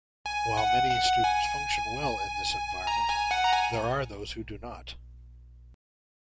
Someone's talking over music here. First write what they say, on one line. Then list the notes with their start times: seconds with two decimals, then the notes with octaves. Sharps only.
While many students function well in this environment, there are those who do not.
0.26 G#5
0.57 F#5
0.90 F#5
1.24 G#5
2.87 A#5
3.10 G#5
3.31 F#5
3.44 A#5
3.53 G#5